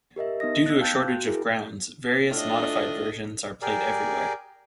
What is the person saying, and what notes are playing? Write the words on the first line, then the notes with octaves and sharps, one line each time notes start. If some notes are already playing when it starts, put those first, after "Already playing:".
Due to a shortage of grounds, various modified versions are played everywhere.
G4 A#4 D#5 E5
B3 D#4 D#5 D#6 A#6
E6 F#6
B3 F5 G5 A5 F#6 G6
F#4
E4 G#4 A#4
A2 D4 F4 D#5 F5
G4 G#4 A#4 D5